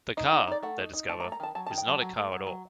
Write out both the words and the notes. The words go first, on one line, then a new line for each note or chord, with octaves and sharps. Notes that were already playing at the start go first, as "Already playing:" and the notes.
The car, they discover, is not a car at all.
D#4 D#5
F#5
D#4
D#5
D#4 D5
A3 F#5
D#4
D#4
A3 A5
A#5
A3
A#5
D#3 A5
F#3 A5
A5
D#3
G5
F#3 A5
F#3
A3
F#3
F#3